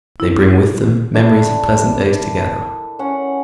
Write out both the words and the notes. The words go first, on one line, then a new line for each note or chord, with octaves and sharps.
They bring with them memories of pleasant days together.
E4
A3 D4 E4 D5
D4
A#4
C#4 F#5